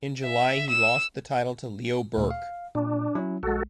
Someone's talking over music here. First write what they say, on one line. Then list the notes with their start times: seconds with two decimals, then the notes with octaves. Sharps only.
In July, he lost the title to Leo Burke.
0.23 E5
0.69 E6
2.17 D2 A#2 A3
2.31 F5
2.75 A#2 D4
3.15 F#3 C#4 E4
3.43 A#1 G#3 F#4 A4